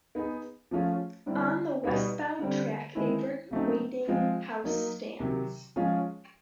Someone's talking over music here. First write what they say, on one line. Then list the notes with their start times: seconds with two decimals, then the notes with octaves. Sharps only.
On the westbound track a brick waiting house stands.
0.15 B3 D#4 G#4
0.71 F3 A3 C#4 F4 G#4
1.26 D3 G3 C4 E4 G4
1.84 B2 G3 B3 D#4
2.39 D3 G3 C4
2.95 D#3 G#3 C4 E4
3.51 C#3 F#3 A3 C4 D#4
4.08 F3 G#3 C4 F4 G#4
4.64 F#3 A#3 D#4
5.20 C3 D#3 F#3
5.76 F3 G#3 C#4 F4 G#4